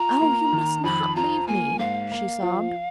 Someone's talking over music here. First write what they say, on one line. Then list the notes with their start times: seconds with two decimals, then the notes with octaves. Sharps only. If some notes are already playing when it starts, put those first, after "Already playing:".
'Oh! you must not leave me!' she sobbed.
Already playing: F4 A#5
0.21 A#3
0.53 D#3
0.84 F2 B5
1.16 F4 A#5
1.48 A#3 G#5
1.79 G#2 F5
2.11 A#3
2.42 F3